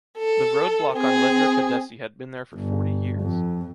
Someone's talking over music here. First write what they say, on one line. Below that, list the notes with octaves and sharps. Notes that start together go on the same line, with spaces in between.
The road block on Ledra Caddesi had been there for forty years.
A4
C4 G#4
G1
F2